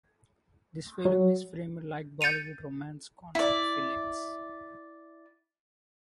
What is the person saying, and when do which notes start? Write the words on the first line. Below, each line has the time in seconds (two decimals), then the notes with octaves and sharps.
This film is framed like Bollywood Romance Concept films.
1.05 F#3
2.21 G6 A6 C#7 D#7 F7
3.35 E4 D5